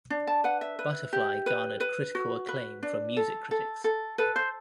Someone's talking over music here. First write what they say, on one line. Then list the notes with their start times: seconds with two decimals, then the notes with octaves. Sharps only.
"Butterfly" garnered critical acclaim from music critics.
0.10 D4
0.27 A5
0.44 B4 F#5
0.61 E5
0.79 B4
1.13 G4
1.46 B4
1.80 B4
2.15 F#4
2.49 B4
2.83 D4
3.17 A4
3.51 A4
3.84 A4
4.18 A4 B4
4.36 C5